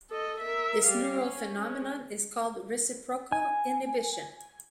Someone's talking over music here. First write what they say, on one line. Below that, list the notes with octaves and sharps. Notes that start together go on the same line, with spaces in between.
This neural phenomenon is called reciprocal inhibition.
A4 D#5
A#4 E5
G3 F5
C#4
G#3 C#4
G#5